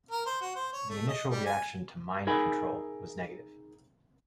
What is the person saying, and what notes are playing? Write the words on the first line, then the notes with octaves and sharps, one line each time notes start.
The initial reaction to "Mind Control" was negative.
A#4
C5
F#4
C5
C#5
A3
D#5
G3
G#5
D#4 G#4 A#4 E5 G#5 B5